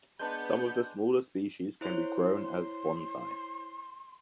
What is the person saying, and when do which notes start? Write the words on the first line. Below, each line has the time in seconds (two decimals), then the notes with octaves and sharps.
Some of the smaller species can be grown as bonsai.
0.19 G#3 B3 D4 B4 G6
1.81 E4 C5 C#5 C6